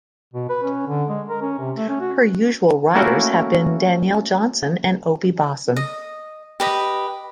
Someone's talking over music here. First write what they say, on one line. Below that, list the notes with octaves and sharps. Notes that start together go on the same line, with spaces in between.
Her usual riders have been Danielle Johnson and Opie Bosson.
B2
B4
C#4
D3
G#3
A#4
C#4
C3
A3
C#4
F#4
A3 A#3 C#4 E4 F#4 A#4
D#5
G4 B4 D#5